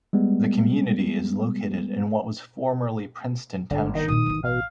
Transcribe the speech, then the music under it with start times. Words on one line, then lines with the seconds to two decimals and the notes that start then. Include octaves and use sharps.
The community is located in what was formerly Princeton Township.
0.13 G3 G#3 B3
3.71 G1 D3
3.95 D#3 D#4
4.08 A#2 E4 D#6
4.26 A1 E3
4.44 B2 F5